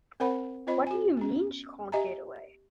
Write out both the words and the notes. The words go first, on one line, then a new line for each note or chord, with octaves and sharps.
What do you mean she can't get away?
C4 A#4 C5 F#5 B5
C4 F4 C5 D#5 B5
F#4 G#5
B3 C#4
G4 D#5 E5 G#5 A#5